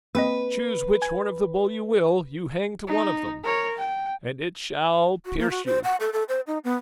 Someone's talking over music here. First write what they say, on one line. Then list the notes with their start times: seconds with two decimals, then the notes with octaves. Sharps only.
Choose which horn of the bull you will, you hang to one of them, and it shall pierce you.
0.15 A#3 C4 B4 D#5
1.02 G#5 G#6
2.87 D#4
3.43 A#4 C#5
3.78 G5
5.25 F#4
5.38 A#3
5.50 F#4
5.66 C5
5.84 F#5
6.00 A4
6.13 A4
6.29 C5
6.47 D#4
6.64 B3